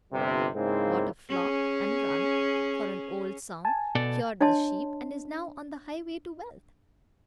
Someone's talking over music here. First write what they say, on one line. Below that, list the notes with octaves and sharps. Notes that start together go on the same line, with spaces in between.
Bought a flock and run, for an old song; cured the sheep; and is now on the highway to wealth.
G1 C3 G3
G#2 C#3 G#3 A#3 C4 E4
C#4 G#4
G#5 A5
B2 A4 D5
D4 C#5 D#5 A5 C6